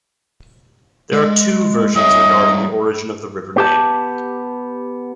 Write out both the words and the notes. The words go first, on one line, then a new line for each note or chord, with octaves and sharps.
There are two versions regarding the origin of the river name.
G#3
G3 C#5 D#5 E5
B3 G4 A5